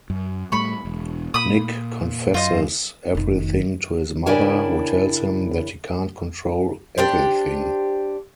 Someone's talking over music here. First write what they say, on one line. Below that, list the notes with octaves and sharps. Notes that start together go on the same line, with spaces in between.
Nick confesses everything to his mother, who tells him that he can't 'control everything'.
F#2
A2 G3 A3 B5 C#6
E1
A#2 B5 D#6
F#2 F4 C5 D#5
F1 D#3
C#3 D4 E4 A#4 G5 G#5
D4 G4 C5